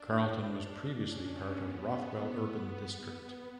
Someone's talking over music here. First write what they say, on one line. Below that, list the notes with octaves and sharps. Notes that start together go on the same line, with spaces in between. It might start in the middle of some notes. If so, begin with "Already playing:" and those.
Carlton was previously part of Rothwell Urban District.
Already playing: D4
C#4
B3
B3